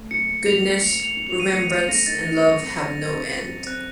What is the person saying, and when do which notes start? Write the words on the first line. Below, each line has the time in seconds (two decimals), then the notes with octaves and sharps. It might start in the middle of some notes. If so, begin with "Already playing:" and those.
Goodness, remembrance, and love have no end.
Already playing: A3
0.11 F#3 C#7
0.28 A#2
0.46 A3 F7
0.64 A3
0.82 A#2
0.99 A#2 F7
1.17 F#3
1.27 F7
1.35 F#3 D#7
1.53 A3 C#7
1.70 F#3
1.88 A3 A#6
2.06 D#4 A6
2.24 D#4
2.41 F#3
2.60 C4
2.77 F#3
2.96 C4
3.14 C4
3.31 C4
3.48 F#3
3.66 C4 F#6